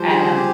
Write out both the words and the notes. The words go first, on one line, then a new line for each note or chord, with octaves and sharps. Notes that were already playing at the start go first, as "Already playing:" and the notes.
and, um
Already playing: F3 G3 C5
G#4
G4